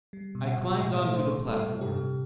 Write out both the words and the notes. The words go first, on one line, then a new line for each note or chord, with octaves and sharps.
I climbed onto the platform.
G3
B2
F#5
B2
A2 E5
A3
C5
A2
G3 A4
C3
G4
C3